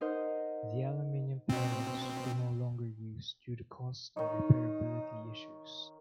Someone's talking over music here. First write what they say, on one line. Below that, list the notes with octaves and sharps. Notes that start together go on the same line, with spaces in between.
The aluminium panels were no longer used, due to cost and repair-ability issues.
D#4 A#4 C5 D#5 F#5
B2 C4
D#3 D#4 C#5